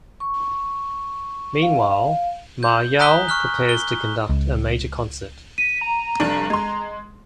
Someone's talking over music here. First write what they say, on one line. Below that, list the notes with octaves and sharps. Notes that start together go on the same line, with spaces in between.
Meanwhile, Ma Yau prepares to conduct a major concert.
C#6
F5
G6
G#5 A#5 D#6 F#6 B6 G7
C#6 F6 F#6
G7
C#2
B6 D#7
A#5
F1 G2 D4
G#3 C6